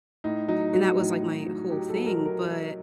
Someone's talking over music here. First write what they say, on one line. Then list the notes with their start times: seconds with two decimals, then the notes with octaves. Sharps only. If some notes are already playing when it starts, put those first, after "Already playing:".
and that was, like, my whole thing. But
0.24 A2 D#4
0.48 F#3 D#4
0.73 F#3 F#4
0.97 A2
1.21 F#3
1.46 F#3
1.70 F#3 G4
1.89 A4
1.95 F#3
2.07 A#4
2.19 F#3
2.25 A#4
2.44 F#3 A#4